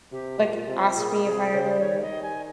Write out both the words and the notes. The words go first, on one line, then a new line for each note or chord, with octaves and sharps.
like, asked me if I ever
C3 G4
A#2
F4
C3
A#2 G#4
C3 G#4
C#3 C5
D#3 C#5
D#5
G#5